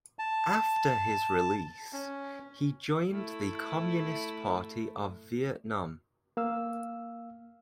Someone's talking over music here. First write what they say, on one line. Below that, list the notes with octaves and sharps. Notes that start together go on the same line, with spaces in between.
After his release, he joined the Communist Party of Vietnam.
A5
C#4
A3 E4
A#3 F5 E6